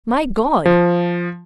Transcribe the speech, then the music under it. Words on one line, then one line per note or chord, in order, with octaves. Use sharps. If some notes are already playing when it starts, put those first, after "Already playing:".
My God!
F3